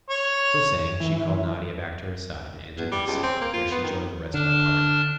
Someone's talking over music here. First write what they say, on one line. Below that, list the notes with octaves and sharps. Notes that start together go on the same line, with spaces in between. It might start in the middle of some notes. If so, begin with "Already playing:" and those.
So saying, she called Nadia back to her side, and entered the Casino, where she joined the rest of our party.
C#5
E3
E2
G3
C#2
C4
A#3
F4
B3
D#3
D3 D4 A5 F6